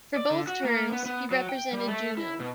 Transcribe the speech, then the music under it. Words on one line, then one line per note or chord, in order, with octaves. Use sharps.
For both terms, he represented Juneau.
D5
D3
F#4
A#3
B3
B3
F#3
G5
G3
A3
E4
B2